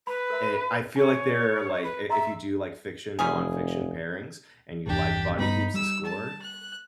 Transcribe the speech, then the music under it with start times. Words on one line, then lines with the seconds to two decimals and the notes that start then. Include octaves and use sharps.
Eh, I feel like they're like i if you do like fiction, nonfiction pairings, and you like Body Keeps the Score,
0.07 B4 B5
0.30 A#4 E5 B5
0.96 C#5 G#5
1.83 B4
2.10 D#5 E5 A#5 C6
3.19 F1 G3 C#4 G#4
4.86 G1 E2 D4 G4
5.39 G2 G3 B3 D#4 B5
5.74 G3 E6
6.05 A5
6.42 F#6